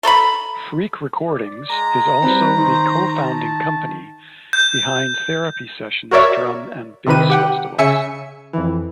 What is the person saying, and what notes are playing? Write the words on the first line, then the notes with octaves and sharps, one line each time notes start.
Freak Recordings is also the co-founding company behind Therapy Sessions drum and bass festivals.
A3 A4 A#5 B5
D5
G#3 A#5
G3 C4 B4
D#3 C5
A5
G6
F#4 A#4 C#5 D5 E5
C3 D#3 B4 D#7
G4 F#5 G5
C#3 E5 G#5 C#7
F2 E3